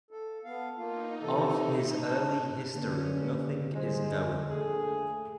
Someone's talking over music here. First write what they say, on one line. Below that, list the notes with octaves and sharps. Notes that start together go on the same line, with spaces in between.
Of his early history nothing is known.
D#4 A4 F5 F#5
B3 E5 F5 A5
F#3 A#3 D#4 F4 F#5 D#6
C3 E3 A4 C5 D5 A5
G#2 G#3 D4 A4
G2 D3 A#3 C#4
G3 G#3 C5
A#1 A3 G#4